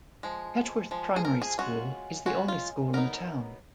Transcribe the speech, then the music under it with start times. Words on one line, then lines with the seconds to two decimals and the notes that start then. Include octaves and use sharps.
Petworth Primary School is the only school in the town.
0.23 F3 G#3
0.91 F3 G#3
1.16 G#4
1.25 A#4
1.42 G#4
1.58 G#3 C#4 F4 F#4
2.26 G#3 C#4 F4 F#4
2.48 F4
2.93 F#3 B3 D#4 A#4